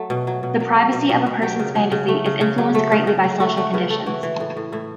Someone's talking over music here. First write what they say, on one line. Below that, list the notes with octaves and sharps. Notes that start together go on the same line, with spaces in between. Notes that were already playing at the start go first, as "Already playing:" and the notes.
The privacy of a person's fantasy is influenced greatly by social conditions.
Already playing: F#3 A3
B2
F#3
B2
F#3
A3
B2
B2
B2
F#3 G4
C#3
F#3
C#3
A3
C#3
C#3
F#3
A3
C#3
C#3
F#3
A3 F#4
A3 F#4
C#3 B4
A3 A4
E3 F#4
E3
A2
A2
A2 E4